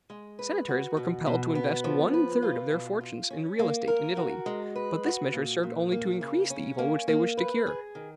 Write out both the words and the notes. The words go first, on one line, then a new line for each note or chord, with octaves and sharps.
Senators were compelled to invest one-third of their fortunes in real estate in Italy; but this measure served only to increase the evil which they wished to cure.
G#3
B4
F#4
B2
B2
B3
F3
B4
F4
B2
F4
C#4
A#3
A#4
F#4
G#3
B4
F#4
A#2
A#2
A#3
C#3
C#4
A#3
A#3
B4
G#4
D#3